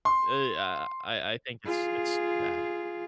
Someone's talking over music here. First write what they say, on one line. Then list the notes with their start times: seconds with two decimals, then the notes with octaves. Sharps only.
Eh, uh, I I think it's it's bad.
0.05 C6
1.65 F4 G#4